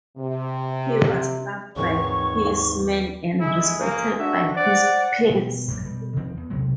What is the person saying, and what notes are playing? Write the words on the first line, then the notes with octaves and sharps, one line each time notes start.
He was loved by his men and respected by his peers.
C3
D#2 G#2 D#3 E3 G#3 C4 C#5 C#6
G1 G#3 E4 G#4
A#3
D4 F#4 E5
C5 D5 F#5
B2 D#3 G3
A#1 F#2 G#3 A#3
B2 G3
E1 D#3 F3 C4
E2
B1 C3 F#3 G#3